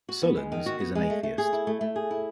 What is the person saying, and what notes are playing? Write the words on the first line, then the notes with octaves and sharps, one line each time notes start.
Solondz is an atheist.
F#4
B3
G#3
D#3
F#4
B3
G#3
A3
A3
G#4
E4
A3
A3
G#4
E4